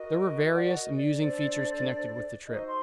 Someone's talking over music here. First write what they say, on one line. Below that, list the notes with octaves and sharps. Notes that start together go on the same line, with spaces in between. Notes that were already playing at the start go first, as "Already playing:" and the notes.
There were various amusing features connected with the trip.
Already playing: F#4 A#4 D#5
D5 F#5
D#5
D5
D4 A4 C5
D#4 F#4 A4 C5 D#5
C6